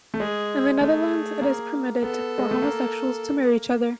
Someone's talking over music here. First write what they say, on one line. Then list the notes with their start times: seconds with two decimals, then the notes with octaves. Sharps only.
In the Netherlands it is permitted for homosexuals to marry each other.
0.14 A3
0.20 G#3 G#4
0.81 A3 G#4
1.41 A#3
2.02 B3 A4
2.38 G#3
2.51 A3
2.62 A#3